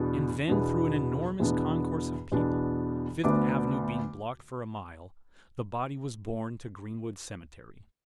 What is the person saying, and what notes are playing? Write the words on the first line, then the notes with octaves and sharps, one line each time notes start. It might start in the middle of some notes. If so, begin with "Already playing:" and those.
And then through an enormous concourse of people, Fifth Avenue being blocked for a mile, the body was borne to Greenwood Cemetery.
Already playing: E2 B2 B3 D4
E2 B2 B3 D4
E2 B2 B3 D4
E2 B2 B3 D4
D2 D3 B3 D4 D6